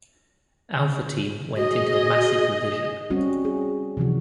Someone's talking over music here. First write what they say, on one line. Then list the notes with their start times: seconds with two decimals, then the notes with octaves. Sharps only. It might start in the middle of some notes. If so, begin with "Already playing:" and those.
Alpha Team went into a massive revision.
1.57 F#4 G#4 D#5
3.10 G3 C4 C#4 F#4
3.45 G#4
3.97 C3 E3 F3 F#4